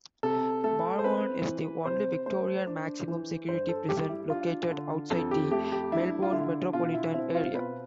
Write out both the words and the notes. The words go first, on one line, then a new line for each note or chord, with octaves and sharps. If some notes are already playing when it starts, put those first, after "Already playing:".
Barwon is the only Victorian maximum security prison located outside the Melbourne metropolitan area.
C3 A4
A3 A4
C5
C4 B4
E3
C3 C5
A3 C5
D4
E3
G2 C5
A4
G3 G4
E4
D4 F4
D3
F2 A4
G4
A3 G4
G4
D4 E4
F4
D3 E4
B2 F4
E4
C4 E4
F4
B2 B4